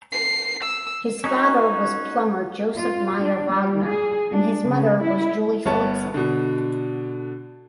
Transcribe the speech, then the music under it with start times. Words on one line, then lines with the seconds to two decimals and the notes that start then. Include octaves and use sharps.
His father was plumber Joseph Meyer Wagner and his mother was Julie Philipsen.
0.12 C7
0.63 E6
1.24 C#4 D#4 F#4
2.77 F4
3.23 D4
3.53 G3
3.88 G#4
4.32 D4
4.67 C#3
5.03 E4
5.66 G1 B3 C#5 A5
6.14 B2 D3